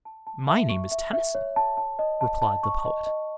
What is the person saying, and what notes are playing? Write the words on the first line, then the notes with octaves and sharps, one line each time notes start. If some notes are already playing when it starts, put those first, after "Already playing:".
"My name is Tennyson," replied the poet.
A5
A5
E5
C#6
E5
E5
C#5
A5
A5
D#5
A5
A5
C#6
D#5
D#5